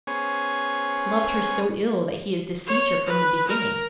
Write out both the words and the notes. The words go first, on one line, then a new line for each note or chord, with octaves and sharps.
'Loved her so ill that he has deceived her from the beginning.'
B3 C#4 G#4 C5 C#5 G#5
C#5
B4
A#4